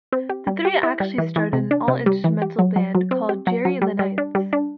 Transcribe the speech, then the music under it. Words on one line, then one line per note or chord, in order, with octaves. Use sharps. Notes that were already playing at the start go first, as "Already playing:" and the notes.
The three actually started an all-instrumental band called "Jerry and the Knights".
C4
G4
G3
G4
E4
G3
E3
E3
C3
D4
C3
G3
E3
G4
F#3
F#3
F#3
C4
G4
F#3
F#3
G3
G3
D4
G3
D4